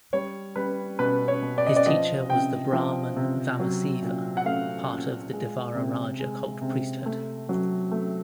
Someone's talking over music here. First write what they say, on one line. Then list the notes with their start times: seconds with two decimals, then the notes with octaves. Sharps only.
His teacher was the Brahman Vamasiva, part of the Devaraja cult priesthood.
0.13 G3 C#5
0.56 G3 B4
0.99 B2 B4
1.28 C#5
1.43 B2
1.58 D5
1.67 D#5
1.76 D5
1.86 F3 D#5
2.30 C3 G5
2.73 F3
3.16 C3
3.60 F#3
4.02 A#2
4.37 F#5
4.45 A3 F5
4.88 A#2
5.33 G#3
5.75 C3
6.19 G#3
6.62 C3
7.06 A3
7.49 F#3
7.91 A3